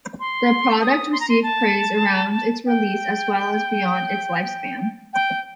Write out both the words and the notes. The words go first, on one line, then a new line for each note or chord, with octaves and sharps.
The product received praise around its release as well as beyond its lifespan.
C6
D#6
C6
A#5
C6
A5
G5
G5